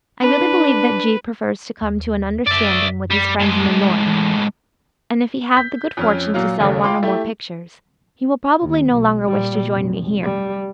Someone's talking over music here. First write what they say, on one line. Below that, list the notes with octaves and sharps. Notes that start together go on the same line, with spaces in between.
I really believe that G. prefers to come to an understanding with his friends in the North, and if he have the good fortune to sell one or more pictures, he will probably no longer wish to join me here.
D4 B4
D#2
F#2 D5 E5
G3
A2 G#3
E3
G6 B6
F2 C#4 F6
A#2 F#3 F4
F#1 D#2 C#3 A3
F4 F5 G5 B5 C6 D6
A3 E4 G4
D#2
B1
A#2 G3
F1
G3